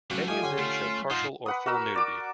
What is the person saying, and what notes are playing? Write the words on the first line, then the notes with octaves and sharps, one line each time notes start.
Many of them show partial or full nudity.
F#3 G3 A3 C4 C#4 F5 F#5 D6
F3 A3 D#4 F5 G5 G#5 D6
D3 C#4 G4 F#5 C6
A3 F4
D#4 F4 C5 F#5 A5
B4 F#5 D#6
F#4 A#4 E6
D5 D6